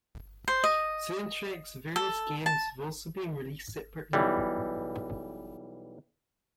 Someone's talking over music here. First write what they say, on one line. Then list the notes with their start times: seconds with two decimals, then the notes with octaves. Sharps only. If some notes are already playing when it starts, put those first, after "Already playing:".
Soundtracks of various games have also been released separately.
0.48 C5
0.64 D#5
1.96 A4
2.46 A5
4.13 B1 E3 G3